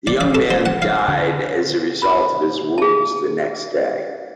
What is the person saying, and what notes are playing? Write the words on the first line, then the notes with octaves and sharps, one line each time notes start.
The young man died as a result of his wounds the next day.
D5
D5
A4
C5
F#5
F5
D3
B5
G#4 A5